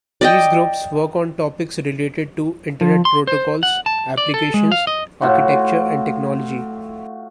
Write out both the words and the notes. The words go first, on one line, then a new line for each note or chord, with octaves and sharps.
These groups work on topics related to Internet protocols, applications, architecture and technology.
D5 D#5 G5
F3
C6
C5
F#5
A5
D5
A4
G#3
F5
D#5
A2 F4 F#4